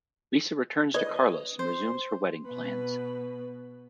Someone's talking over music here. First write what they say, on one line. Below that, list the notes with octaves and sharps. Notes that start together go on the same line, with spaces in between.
Lisa returns to Carlos and resumes her wedding plans.
B4 D#5 G#6
C5
B2 B4